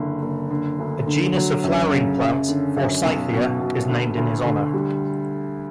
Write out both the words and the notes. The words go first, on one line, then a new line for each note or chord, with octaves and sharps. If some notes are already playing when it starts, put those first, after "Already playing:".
A genus of flowering plants, "Forsythia", is named in his honor.
Already playing: F#1 D3
F#1
D3
D2
D3
F#3
F#2
C#3
F#2
D3
F#2
B1
B2
B2
D2
D2
D3
G3